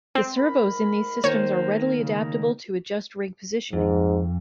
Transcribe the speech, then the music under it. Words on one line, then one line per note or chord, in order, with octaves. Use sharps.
The servos in these systems are readily adaptable to adjust rig positioning.
C4
G#2 A#4 B5
D#3 A#3 C5 C#5
C#3
F2 G#2